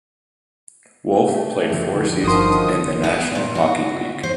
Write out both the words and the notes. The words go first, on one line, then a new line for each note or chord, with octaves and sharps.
Wolfe played four seasons in the National Hockey League.
A3
F2 D3
G1 D#3 F3 F#4 C6 D#6
B3
A#2
F#4
C5